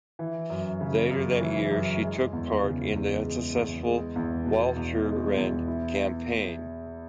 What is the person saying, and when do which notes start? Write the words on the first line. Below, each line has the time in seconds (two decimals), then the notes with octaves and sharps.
Later that year she took part in the unsuccessful Walcheren Campaign.
0.19 E3
0.50 F#2
0.81 C#3
1.11 F#2
1.41 E3
1.71 F#2
2.02 G#3
2.33 E2
2.63 C#3
2.93 E2
3.24 G#3
3.55 E2
3.85 G#3
4.16 E2
4.46 B2
4.76 E2
5.06 G#3
5.37 E2
5.67 E4